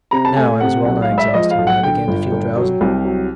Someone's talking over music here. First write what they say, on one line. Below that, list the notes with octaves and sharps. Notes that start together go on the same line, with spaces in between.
Now I was well-nigh exhausted, and began to feel drowsy.
C3 A#5
A5
A3 G#5
C3 F#5
B1 F#5
F5
G#3
E5
D5
F3 D#5
F5
B1
F#5
D3 G5
G1
G1
F#3
C2
F#3